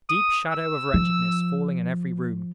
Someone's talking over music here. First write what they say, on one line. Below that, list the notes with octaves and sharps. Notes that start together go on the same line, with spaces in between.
Deep shadow of wretchedness falling in every room.
D#6
E6
F3